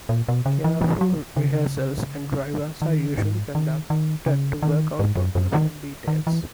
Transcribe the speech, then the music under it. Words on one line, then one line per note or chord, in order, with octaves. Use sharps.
Careful rehearsals and "dry runs" are usually conducted to work out problems and details.
A#2
B2
C#3
E3
E3
F#3
C#3
D#3
G#2
D#3
D#3
C#3
D#3
G#2
F#2
F#2
D#3
D#3
E3